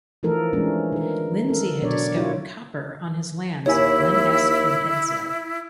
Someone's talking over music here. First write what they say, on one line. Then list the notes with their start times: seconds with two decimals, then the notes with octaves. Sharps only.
Lindsay had discovered copper on his lands of Glen Esk and Edzell.
0.23 E3 F3 A3 D#4 A4 A#4
0.53 E3 F3 G#3 A3 C#4 D4
0.92 D#3 A#4
1.48 A4 A#4
1.82 B2 F#3 D4 C#5 D5
2.15 D#3 F#3 E4 F4 C#5
3.66 D#2 E4 C#5 G#5